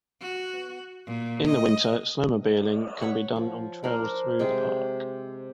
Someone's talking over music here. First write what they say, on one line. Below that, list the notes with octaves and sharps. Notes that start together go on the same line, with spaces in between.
In the winter, snowmobiling can be done on trails through the park.
F#4
A#2
D#5
C#5 F#5 B5
F3
D4 A#4 C5
C3 G#3 G#4 G5